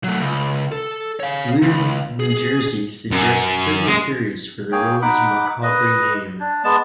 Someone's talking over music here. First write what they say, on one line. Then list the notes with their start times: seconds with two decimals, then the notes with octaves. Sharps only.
"Weird New Jersey" suggests several theories for the road's macabre name.
0.04 F#3 A3
0.21 C#2
0.72 A4
1.20 C#5 F5
1.62 C#2
2.20 G#4
3.11 F#2
3.86 G#3
4.72 A#3 G#4 C#5 G5
5.02 D#4 F#5 B5 D6
5.63 B4 D#5
6.40 D4
6.64 G#3 B3 A5